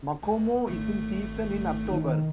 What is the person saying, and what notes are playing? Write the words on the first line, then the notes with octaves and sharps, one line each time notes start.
Makomo is in season in October.
C#2
G#1 A3
D#3